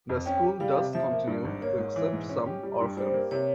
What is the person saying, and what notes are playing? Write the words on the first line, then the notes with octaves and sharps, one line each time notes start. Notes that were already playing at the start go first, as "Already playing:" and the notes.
The school does continue to accept some orphans.
F2
C#4 G5
G4
G3 F5
C3
F3 E5
A#3
G2
G#1
A#3 C#5
G#2
E3
G#2
C#4
G4
G3
G2
G3 C5
A#3
C3 C#5